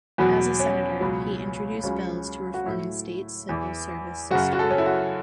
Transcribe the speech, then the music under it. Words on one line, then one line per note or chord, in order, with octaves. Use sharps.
As a senator, he introduced bills to reform the state's civil service system.
E2 B2 F#3 F#4
C#4
C#2 B2 F#3
C#2 C#3 F#3
F#4
A2 F#3 E4
E2 E3
F#2 C#3 F#3 F#4
F#4
A4
C#4
E4
F#4